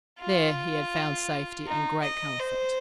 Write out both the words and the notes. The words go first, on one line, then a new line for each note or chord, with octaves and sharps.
There he had found safety and great comfort.
F4
D#4
D#5
C5